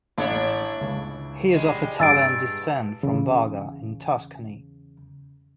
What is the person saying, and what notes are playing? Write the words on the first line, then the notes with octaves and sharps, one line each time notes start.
He is of Italian descent from Barga, in Tuscany.
A1 D4 E4 C#5
C#2
G3 G#3
G2 E6 A6 D7
E2 C#3